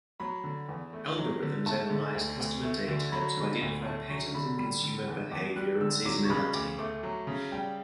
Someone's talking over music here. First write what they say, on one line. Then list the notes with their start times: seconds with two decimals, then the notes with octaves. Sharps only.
Algorithms analyze customer data to identify patterns in consumer behavior and seasonality.
0.20 F#3 B5
0.44 D3
0.69 E2
0.93 A3
1.17 F#3
1.42 D3
1.66 A3 A5
1.90 D3
2.15 D2
2.40 D2
2.63 A3
2.88 D3
3.12 F#3 B5
3.37 D3
3.61 D2
3.85 A3 A5
4.10 F#3 C#6
4.34 D3 B5
4.58 G3 B5
4.83 D3
5.08 E2
5.31 E2 D6
5.56 G3 F#6
5.80 D3 E6
6.05 F#3 D6
6.25 C#6
6.30 C#3 B5
6.53 D2 D6
6.79 A3 D6
7.03 F#3
7.27 C#3
7.52 G3 G5